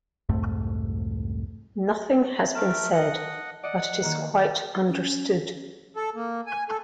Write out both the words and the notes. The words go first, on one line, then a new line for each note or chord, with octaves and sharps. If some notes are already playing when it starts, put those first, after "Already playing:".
Nothing has been said, but it is quite understood.
C2 F2 G#2 A3
A3 A#4 A5 D7
D#5 F#5
D5 D#5 F#5
D#3 A#3
C#4
A4
A#3
G#5
A4